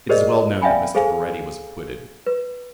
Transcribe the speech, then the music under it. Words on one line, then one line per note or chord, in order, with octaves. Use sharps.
It is well known that Mr. Baretti was acquitted.
G4 G#4 A#4 C5 D5 D#5
D5 E5 F5 G5 G#5 B5
G#4 A4 C5 F5 G#5
B4